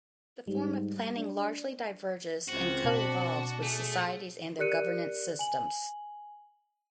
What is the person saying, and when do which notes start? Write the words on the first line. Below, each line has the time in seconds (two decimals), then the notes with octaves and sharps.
The form of planning largely diverges and co-evolves with societies and their governance systems.
0.48 G#2 G3
1.17 D4
2.49 C#2 C4 F#4
2.84 B2 D4
3.62 A3 G#4
4.59 G4 A#4 D5 F#6 C#7 D#7
5.39 G#5 F#7